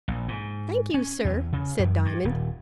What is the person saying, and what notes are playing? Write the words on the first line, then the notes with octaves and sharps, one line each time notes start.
"Thank you, sir," said Diamond.
A#1
G#2
C#4
E2
C#3
F#2
G2
D#1